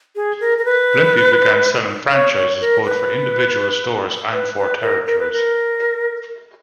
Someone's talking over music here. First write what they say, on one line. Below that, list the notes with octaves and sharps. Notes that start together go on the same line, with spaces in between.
Blimpie began selling franchises both for individual stores and for territories.
G#4
A#4
A#4
B4
C#5
C#5
A#4
B4
B4
B4
A#4
A#4
B4
A#4